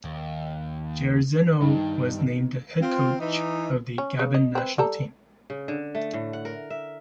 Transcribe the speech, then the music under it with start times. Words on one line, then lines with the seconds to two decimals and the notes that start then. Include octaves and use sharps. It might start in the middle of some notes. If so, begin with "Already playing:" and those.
Jairzinho was named head coach of the Gabon national team.
0.05 D#2
1.61 G2 D#3
2.81 C4 F4
3.19 E3 D#4
3.98 C#4
4.19 C#3
4.34 D#5
4.55 C4 B4
4.78 G3 A4 A#5
5.50 C#3
5.68 D3
5.95 A3
6.14 A2
6.33 F#5
6.45 A#4
6.70 E5